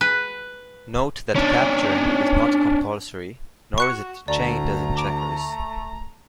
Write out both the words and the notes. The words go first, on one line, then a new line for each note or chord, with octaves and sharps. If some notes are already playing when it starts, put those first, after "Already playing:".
Note that capturing is not compulsory, nor is it "chained" as in checkers.
B4
C#4 D4
F#4 C#6 F#6 C#7
D2 A3 D5 A#5
D6 D7